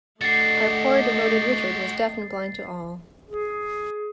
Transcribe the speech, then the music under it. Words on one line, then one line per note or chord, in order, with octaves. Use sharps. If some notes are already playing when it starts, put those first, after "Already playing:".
Our poor devoted Richard was deaf and blind to all.
D3 A3 F#4 G4 D#5 A6 C7
G#4